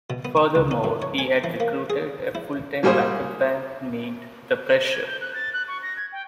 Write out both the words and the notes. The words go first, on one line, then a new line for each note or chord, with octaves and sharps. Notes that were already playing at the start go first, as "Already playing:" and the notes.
Furthermore, he had recruited a full-time backup band, named The Pressure.
B2
B3
G5
C#2
C#4
F#2
C#5
G#5
E3
A#3
G#4
E4
F#3 G3 A#3 G#4 C5
G#6
G6
F#6
A6
F#6
C#6
A#6
G#6
G5